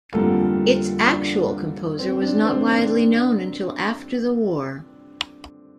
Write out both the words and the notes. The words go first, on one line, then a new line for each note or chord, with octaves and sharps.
Its actual composer was not widely known until after the war.
F2 D3 G3 A#3 F4 A4
D4
C4
D4
C4
D4